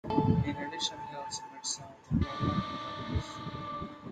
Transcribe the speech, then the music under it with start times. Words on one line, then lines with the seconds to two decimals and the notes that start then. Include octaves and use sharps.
In addition he also made some of the cover of the albums.
0.10 A4 A5
2.22 D4 D#4